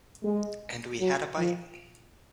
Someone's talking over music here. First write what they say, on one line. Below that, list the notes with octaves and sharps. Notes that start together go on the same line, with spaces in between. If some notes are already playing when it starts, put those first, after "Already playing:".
And we had a bite.
G#3
F#3
F3